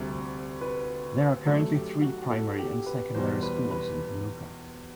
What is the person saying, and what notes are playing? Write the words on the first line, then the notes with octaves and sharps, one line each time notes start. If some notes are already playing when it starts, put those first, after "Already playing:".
There are currently three primary and secondary schools in Temuka.
Already playing: D2 C3 G3 D5
B4
F#2 F#3 A3 A4
G4
F#4
A4
G4
B4
E2 B2 G3 C5
B4
B4